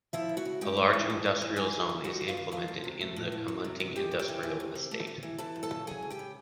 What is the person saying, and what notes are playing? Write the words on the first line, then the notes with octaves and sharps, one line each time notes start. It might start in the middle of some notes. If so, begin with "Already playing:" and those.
A large industrial zone is implemented in the Kamunting Industrial Estate.
F3 E4 E5
D#2
F#4 F#5
C#3
G#3 G4 G5
C3
E3
A3
A2
E3
F#3 G#4 G#5
G2
D#3
G3 F#4 F#5
F#2
F4 F5
D#3
F3 F4 F5
D2
C3
A3
A2
F3
F#3
C3
D#3
G#3 G4 G5
C#3
G4 G5
E3
E3
D2
C3
A3
G2
E3
E3 A4 A5
F#2
A4 A5
C#3
F#3 G#4 G#5
D2
G4 G5
C#3